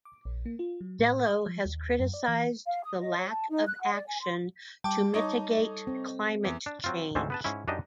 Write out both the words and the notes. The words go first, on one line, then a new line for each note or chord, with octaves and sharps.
Dello has criticised the lack of action to mitigate climate change.
D6
A#1
A#3
F4
F#3
A2
D#6
F3
D#2
F#2
D5
E3
F5
D#6
D#5
C#5
A5
D#4
F#6
F#5
D5
G#5
C6
G3 G5 A5 D6
D#4 C#5 D#5
A4
C4
E2
D4
F#3 C4 F4
D2 G#2 E3 C4 C#4 A5
B3 B4 A5
G#2 C#4 E4
F#2 D4 D#4 G4 D#5